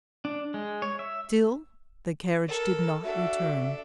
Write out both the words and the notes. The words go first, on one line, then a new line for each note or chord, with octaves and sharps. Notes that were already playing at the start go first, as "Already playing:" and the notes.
Still, the carriage did not return.
D4
G#3
C#5
E5
A4 A#4
D4 F#4 A4 E5